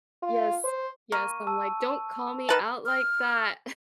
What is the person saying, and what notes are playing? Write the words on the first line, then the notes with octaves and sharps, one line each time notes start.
Yes. Yes. I'm like, "Don't call me out like that."
F4
C5
A#3 C#6 F6 D#7
A5 E6
D#3 B4 A5
F6